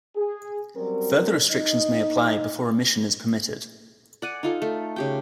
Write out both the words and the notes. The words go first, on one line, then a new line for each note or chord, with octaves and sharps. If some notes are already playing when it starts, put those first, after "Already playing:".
Further restrictions may apply before omission is permitted.
G#4
F#3 G3 C4 C#4 A#4
D#4 D#5
D5 F#5 G#5
D#4 F4 A4
A3
C#3 G4 G5